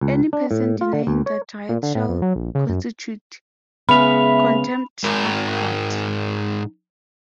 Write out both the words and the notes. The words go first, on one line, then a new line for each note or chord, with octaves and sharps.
Any person denying that right shall constitute contempt of court.
C#2
D4
A2
F4
D3
D2
C#5
A#2
D3
A2
F2
F#3
A#1
C#3
F#2
C#3 G#3 B3 E5 B5 F7
G#2 A#4